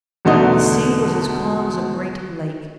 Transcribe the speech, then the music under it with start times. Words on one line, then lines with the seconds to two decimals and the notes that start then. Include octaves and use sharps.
The sea was as calm as a great lake.
0.25 E2 B2 D3 A3 D#4